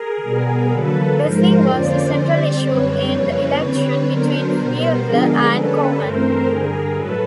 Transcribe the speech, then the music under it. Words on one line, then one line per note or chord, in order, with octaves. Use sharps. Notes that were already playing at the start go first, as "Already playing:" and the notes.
Busing was the central issue in the election between Fiedler and Corman.
Already playing: G#4 A#4
B2 G3 B3
D3 F#3 A#3 A4 B4
G#2 F3 G#3 A#4 C5
F2 D3 F3 A#3 C#4 C5 D5
D3 G3 C4 C5 D5
F#2 D3 G3 C4 B4 C#5
F2 C#3 E3 G3 A#3
D3 G3 C4 B4 C#5
D3 F#3 B3 D4 A#4 C5
B2 G3 B3
D3 F3 G#3 B3 D4 G#4 A#4
D3 G3 A#3 C#4 A4 B4
G2 E3 A3 C4 A#4 C5
G2 D3 G3 G#4 A#4
A2 F#3 A3 A4 B4